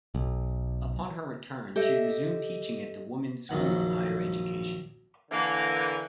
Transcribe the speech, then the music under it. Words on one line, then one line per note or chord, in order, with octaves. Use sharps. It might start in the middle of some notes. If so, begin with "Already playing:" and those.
Upon her return, she resumed teaching at the women's school of higher education.
B1
G4 A4 D#5 E5
A#1 F#2 D#3 F#5
D3 E3 A#3